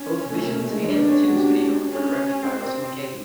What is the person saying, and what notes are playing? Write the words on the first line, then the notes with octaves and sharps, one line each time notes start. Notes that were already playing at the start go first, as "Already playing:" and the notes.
Both "Visions" and "The Tubes Video" were directed by Russell Mulcahy.
Already playing: C#4
A3
A#3
A3
G#3
G#3 D4
B3
C#4
F#4
G4
C#4
C4 C5